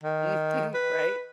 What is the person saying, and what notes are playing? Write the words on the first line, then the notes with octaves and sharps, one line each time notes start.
Mhm, right?
D#3
B4